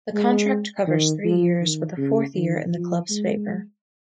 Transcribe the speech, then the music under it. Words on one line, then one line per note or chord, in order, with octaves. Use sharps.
The contract covers three years, with a fourth year in the club's favour.
G#3
D#3
F3
D#3
C#3
D#3
F3
G#3